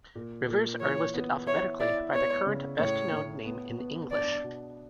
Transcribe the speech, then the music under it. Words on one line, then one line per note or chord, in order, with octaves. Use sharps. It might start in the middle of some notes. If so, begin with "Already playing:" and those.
Rivers are listed alphabetically by their current best-known name in English.
A#2
A#2
E3 C#5
B3
E4 C#5
E4 D5
B3 C#5
C#3
A2 C#5
A2
B3
B3
D4 D5
B2